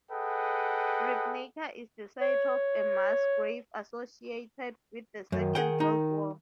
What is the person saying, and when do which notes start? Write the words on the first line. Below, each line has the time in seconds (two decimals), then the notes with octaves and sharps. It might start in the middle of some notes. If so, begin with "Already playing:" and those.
Ribnica is the site of a mass grave associated with the Second World War.
0.11 G#4 A4 B4 D#5 F#5 G5
2.21 C#5
5.32 F#2 D#3
5.55 G#4 F#5 G5
5.80 D#4